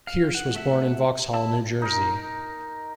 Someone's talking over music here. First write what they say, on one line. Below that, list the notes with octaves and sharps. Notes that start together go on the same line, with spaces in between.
Kearse was born in Vauxhall, New Jersey.
F5
F#5
A3 E5 F#5
E4 A5 E6
D#4 A#4